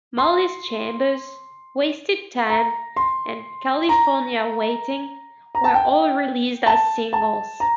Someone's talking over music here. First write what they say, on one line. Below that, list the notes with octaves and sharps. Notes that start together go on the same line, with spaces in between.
"Molly's Chambers," "Wasted Time" and "California Waiting" were all released as singles.
C6
A#5
C6
A#5
A#5
A5
G5
A5
A5
A#5